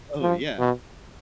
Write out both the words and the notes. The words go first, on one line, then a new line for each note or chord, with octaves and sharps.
Oh, yeah.
F3
B2